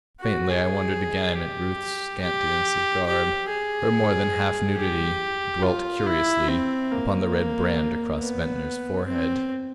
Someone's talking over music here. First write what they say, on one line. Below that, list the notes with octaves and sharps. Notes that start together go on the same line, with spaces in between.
Faintly I wondered again at Ruth's scantiness of garb, her more than half nudity; dwelt curiously upon the red brand across Ventnor's forehead.
F#4
G#4
G4
G4
G4
G#4
G4
F4
E4
C4
A#3
B3
C4